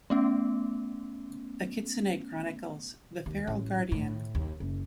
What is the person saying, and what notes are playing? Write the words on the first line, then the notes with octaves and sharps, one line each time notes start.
The Kitsune Chronicles: The Feral Guardian.
A3 B3 C#4
D#2
A1
A2
D#2
F#1